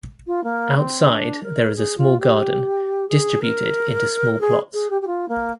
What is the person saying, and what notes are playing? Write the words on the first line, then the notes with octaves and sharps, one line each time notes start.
Outside, there is a small garden, distributed into small plots.
F4
A#3
C4
D4
A#4
G#4
F4
G4
G#4
A#4
G#4
G#4
G4
G4
F4
A#3